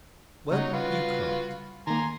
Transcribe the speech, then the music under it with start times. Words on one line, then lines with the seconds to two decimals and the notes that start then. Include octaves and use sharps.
Well, you can't.
0.51 C#3 F#3 G3 D#4 C#5 F#5
0.73 F4 F#4 B4
1.87 D#3 A#3 G#5 A#5 C6